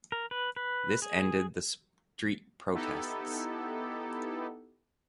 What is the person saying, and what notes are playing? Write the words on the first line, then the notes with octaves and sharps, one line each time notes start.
This ended the street protests.
A#4
B4
B4
G#4
B3 D#4 E4 G4 A4